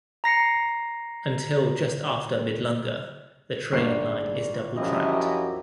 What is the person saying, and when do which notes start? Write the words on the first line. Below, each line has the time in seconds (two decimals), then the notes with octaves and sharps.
Until just after Midlunga, the train line is double tracked.
0.24 A#5 A#6 C7 C#7
3.73 G1 G#2 A#3 G#4 D5 C7
4.77 F#2 F3 E4 G4 D#5